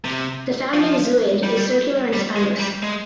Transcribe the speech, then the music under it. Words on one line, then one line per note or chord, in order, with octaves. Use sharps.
The founding zooid is circular and spineless.
C3
F3
G3
G3
G#3
G3
G#3